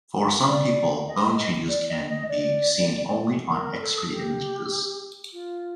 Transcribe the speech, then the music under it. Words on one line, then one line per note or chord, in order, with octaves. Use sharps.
For some people, bone changes can be seen only on X-ray images.
D5
D#5
D5
D#5
D#5
D5
A#4
A#4
A4
G4
F4